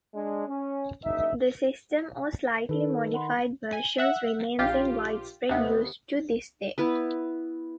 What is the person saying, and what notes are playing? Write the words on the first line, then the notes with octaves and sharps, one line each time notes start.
The system, or slightly modified versions, remains in widespread use to this day.
G#3 D4
C#4
F#1 D#4 E5
D#3 A4 B4
F#5 B5 C6
G#5
E5 F#5
A#1 F4 G4
D#2 C3 B3
B3 E4 B4